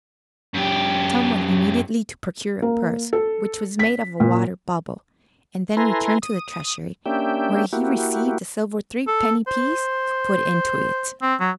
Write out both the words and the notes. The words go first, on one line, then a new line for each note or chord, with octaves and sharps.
Tom went immediately to procure a purse, which was made of a water bubble, and then returned to the treasury, where he received a silver threepenny-piece to put into it.
F#2 G4
A#3
A4
B6
A#2
E4 A4 B4 G#5 A#5 C6
D#6
A#3 C#4 D4 G4 E5 G5
A#3 E4 F#4 G4
A4
C5
C4
F#3